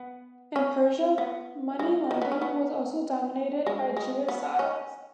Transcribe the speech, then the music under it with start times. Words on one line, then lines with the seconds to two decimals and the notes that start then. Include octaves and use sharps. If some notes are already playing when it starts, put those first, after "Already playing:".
In Persia, money lending was also dominated by Jewish Sarrafs.
Already playing: B3
0.56 C#4
1.18 B3
1.79 G#3
2.11 D#3
2.22 B3
2.32 C#4
2.42 B3
3.67 G#3
3.97 G#3
4.28 B3
4.59 C#4